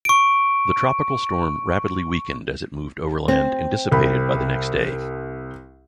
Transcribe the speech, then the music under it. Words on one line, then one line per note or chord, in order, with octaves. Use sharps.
The tropical storm rapidly weakened as it moved overland and dissipated the next day.
C#6 D7
C4
C2 B5